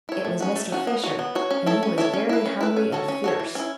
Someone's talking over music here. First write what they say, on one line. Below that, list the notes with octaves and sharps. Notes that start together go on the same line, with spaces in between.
It was Mr. Fisher, and he was very hungry and fierce.
E4 C#5
A3
C#4 F#4
A3
C#4 F#4
B3
F#4 C#5
B3
F#4 C#5
C#4
E4 A4 C#5
C#4
E4 A4 C#5
C#4
E4 B4
C#4
E4 B4
C#4
F#4 A4 C#5
C#4
F#4 A4 C#5
E3
C#4 E4